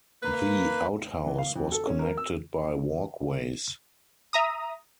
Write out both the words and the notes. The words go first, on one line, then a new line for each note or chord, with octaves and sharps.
The outhouse was connected by walkways.
A#3 B4
E3
F5
F2
A4
C#4
A#4
E6
E5 A#5 D#6